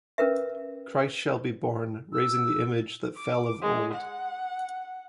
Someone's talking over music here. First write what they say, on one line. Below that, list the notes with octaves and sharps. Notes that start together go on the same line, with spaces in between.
Christ shall be born, raising the image that fell of old.
C#4 A#4 B4 E5
E6
D6
G#3
F#5